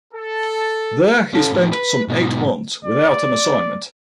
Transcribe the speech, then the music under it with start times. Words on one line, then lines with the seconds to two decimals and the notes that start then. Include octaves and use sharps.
There he spent some eight months without an assignment.
0.13 A4
1.34 C#4 A4
1.53 A2 F3
1.72 B4
2.08 G#2 B2
2.85 D5